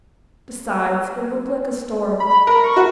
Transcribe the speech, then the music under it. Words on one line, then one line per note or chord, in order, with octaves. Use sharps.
Besides, it looked like a storm.
B5
A#4
C#6
F#4